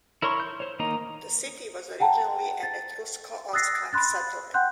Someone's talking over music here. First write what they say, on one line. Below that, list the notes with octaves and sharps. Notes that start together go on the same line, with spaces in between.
The city was originally an Etrusco-Oscan settlement.
E4 A#4 C#5 C6 C#6
G6
C5 C#5
D#3 A#3 D#4 D#5 A#5
F#5 G5 A5 A#5
A6
D#6 E6 F#6 A6 A#6 C7
B5 C6 F#6 A6
F#5 G5 C6 F#6 G6